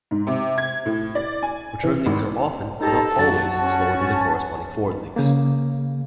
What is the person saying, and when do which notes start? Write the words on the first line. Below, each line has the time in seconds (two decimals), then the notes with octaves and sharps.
Return links are often, but not always, slower than the corresponding forward links.
0.11 G#2
0.27 C3
0.58 G#6
0.86 A2
1.15 D5
1.43 G#5
1.83 E3
2.06 G#1
2.81 D#4 G4 A4 C5 A5 A#5
3.19 F#2 F#4 A5
3.62 C#4
5.16 C#3 A#3